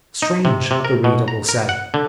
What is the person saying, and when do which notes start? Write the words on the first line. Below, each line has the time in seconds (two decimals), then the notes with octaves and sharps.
"Strange!" the reader will say.
0.22 D#4
0.45 C3
0.71 C3
0.85 A#4
1.04 B2
1.28 A#5
1.49 A#4
1.69 F#5
1.94 D3